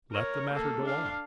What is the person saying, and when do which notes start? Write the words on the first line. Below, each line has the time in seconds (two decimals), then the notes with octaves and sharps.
Let the matter go on.
0.12 A#4 C#5
0.54 A#3 A4
0.82 D4 F5